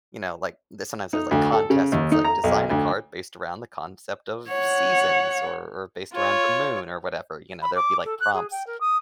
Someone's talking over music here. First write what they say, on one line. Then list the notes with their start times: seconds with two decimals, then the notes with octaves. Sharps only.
you know like, this one has those, like, contests where it's, like, "Design a card based around the concept of seasons," or or "based around the moon," or whatever, you know, there'll be like prompts,
1.13 D#4
1.31 D2
1.52 A4
1.70 C#3
1.92 D#2
2.12 D#4
2.25 A#5
2.44 B1
2.70 D2
4.48 C#5 F#5
6.13 F4 C#5
7.62 B5
7.76 D6
8.05 A4
8.20 F#6
8.34 G#4
8.51 G5
8.67 A#4
8.80 D#6